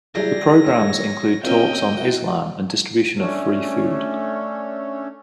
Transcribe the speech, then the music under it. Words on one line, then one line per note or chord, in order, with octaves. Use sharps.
The programs include talks on Islam and distribution of free food.
C2 F#3 E4 G4 G#4 D5 A#6
D4 E4 A#4 C#5
B2 C4 C#4 F4 A#4 D#5 G5
E4 F#4 F#5
A3 C#4 D4 A4 C#5